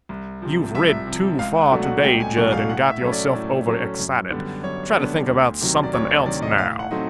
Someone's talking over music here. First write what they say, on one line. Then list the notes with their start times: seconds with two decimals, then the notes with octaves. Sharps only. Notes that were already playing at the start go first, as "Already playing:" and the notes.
'You've rid too far to-day, Jud, and got yourself over-excited. Try to think about something else now.'
0.09 C2
0.42 C3 F3
0.75 C2 E5
1.07 C3 F3
1.39 C#2 F5
1.61 F#5
1.72 B2 F#3 A3 D4
1.83 F#5
2.04 C#2 G5
2.20 G#5
2.36 B2 F#3 A3 D4 F#5
2.52 F5
2.69 A2 F#5
2.90 E5
3.01 F#3 A3 C#4
3.12 D5
3.34 A2
3.67 F#3 A3 C#4
3.99 F#2
4.31 D3 G3 B3 D4
4.64 F#2 C#5
4.96 D3 G3 B3 D4
5.29 D2
5.61 C3 D#3 F#3
5.83 D5
5.93 D2 C#5
6.10 D5
6.26 C3 D#3 F#3 D5
6.42 D#5
6.58 A2 F5
6.79 F#5
6.91 F#3 A3 C4 D#4